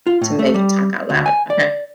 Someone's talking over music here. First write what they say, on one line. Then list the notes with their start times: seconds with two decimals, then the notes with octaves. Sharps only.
to make it talk out loud. Okay.
0.07 F4
0.21 A2
0.39 A3
0.54 G3
1.10 D2
1.26 G#5
1.50 D5